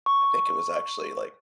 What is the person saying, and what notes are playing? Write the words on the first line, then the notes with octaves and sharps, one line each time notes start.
I think it was actually, like
C#6